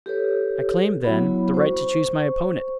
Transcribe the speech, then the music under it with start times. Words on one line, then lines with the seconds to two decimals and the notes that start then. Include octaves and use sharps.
I claim, then, the right to choose my opponent.
0.06 G4 A4 B4 C#5
1.04 F#3 B3 E4 F#4 C#5 B5
1.54 C5 C#6